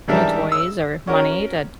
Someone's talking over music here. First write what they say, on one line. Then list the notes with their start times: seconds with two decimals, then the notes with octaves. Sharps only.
new toys or money that
0.08 G#2 E3 G3 D4 A#4 E5
0.52 E6
1.07 C#4 F#4 A#4